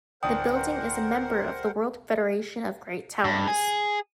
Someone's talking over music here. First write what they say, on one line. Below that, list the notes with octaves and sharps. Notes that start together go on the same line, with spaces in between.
The building is a member of the World Federation of Great Towers.
D1 D4 A#4 C5 F#5 G5 D#6
G2
G#4